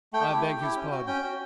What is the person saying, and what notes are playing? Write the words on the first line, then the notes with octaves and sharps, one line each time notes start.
I beg his pardon.
A3 G5
E4 G4
A3
E4 G4
C#4
F#4
C#4 G5
F#4